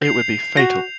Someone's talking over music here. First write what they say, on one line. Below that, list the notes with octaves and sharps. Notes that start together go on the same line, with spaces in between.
It would be fatal.
G6 C7 F7
F#4 A#6